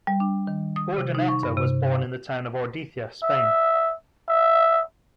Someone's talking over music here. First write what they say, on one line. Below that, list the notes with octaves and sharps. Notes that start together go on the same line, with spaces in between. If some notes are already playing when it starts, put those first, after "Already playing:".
Urdaneta was born in the town of Ordizia, Spain.
G3
D4
D#3
D#6
C3
D#4
C#6
G2
C3
F5
E5
E5